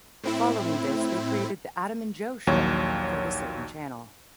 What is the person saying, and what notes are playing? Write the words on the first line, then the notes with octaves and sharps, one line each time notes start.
Following this they created "The Adam and Joe Show" for the same channel.
A2 C4 E4
A#1 D#2 F#3 C#5